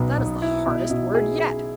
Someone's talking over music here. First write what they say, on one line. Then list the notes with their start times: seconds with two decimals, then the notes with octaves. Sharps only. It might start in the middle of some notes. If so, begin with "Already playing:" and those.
That is the hardest word yet!
Already playing: B1 B2 B3
0.18 B1
0.42 E4
0.66 B2
0.90 B2
1.14 G#4
1.38 G#4